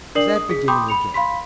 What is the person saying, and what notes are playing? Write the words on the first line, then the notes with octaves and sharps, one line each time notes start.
Is that beginning again?'
D4 A#4 D5 D#6 C7 F#7
D#6
G#4 B6
G5 B5 C6 D6 D#6 G6
B5 C#7 F7
F5 B5 C6 B6